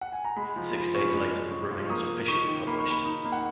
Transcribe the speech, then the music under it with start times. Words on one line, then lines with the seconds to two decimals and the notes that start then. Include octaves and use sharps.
Six days later the ruling was officially published.
0.01 F#5
0.12 G#5
0.25 A#5
0.36 G#3 B5
0.56 F3
0.74 F3 B5
0.94 F#2 C#6
1.14 G#3
1.33 F#2
1.51 G#3 C#6
1.71 F3
1.86 C#6
1.90 A#3 D#6
2.10 A#3
2.28 D#4 C#6
2.48 D#3
2.67 A#3 B5
2.78 C#6
2.86 A#3
2.91 B5
3.05 D#4
3.25 A#3
3.32 F#5